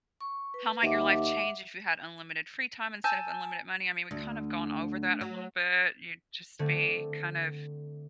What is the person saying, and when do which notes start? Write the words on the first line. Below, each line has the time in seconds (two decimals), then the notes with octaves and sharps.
How might your life change if you had unlimited free time instead of unlimited money? I mean, we've kind of gone over that a little bit. You'd just be kind of
0.21 C#6
0.54 B4
0.83 D#2 E5 F#5 D6
3.04 G#5 A5 E6 G6
4.11 D2
5.21 F#3
6.59 D3 A3 C4